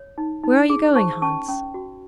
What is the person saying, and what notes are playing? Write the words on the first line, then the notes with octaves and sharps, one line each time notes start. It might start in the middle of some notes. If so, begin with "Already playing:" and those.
'Where are you going, Hans?'
Already playing: C#5
D#4
D#4
G#4
C5 A5 C#6
C#4 A5 C#6
C#4
F#4